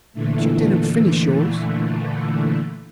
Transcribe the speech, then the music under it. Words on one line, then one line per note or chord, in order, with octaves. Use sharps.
But you didn't finish yours.
A#2 D3 E3 A3